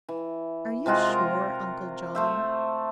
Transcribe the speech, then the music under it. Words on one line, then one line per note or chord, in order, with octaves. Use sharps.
"Are you sure, Uncle John?"
E3
C3 G#3 F4 F#4
A#4
A3 C5 E5